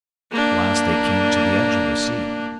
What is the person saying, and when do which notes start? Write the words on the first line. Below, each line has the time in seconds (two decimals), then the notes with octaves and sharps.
At last they came to the edge of the sea.
0.32 A#3 D4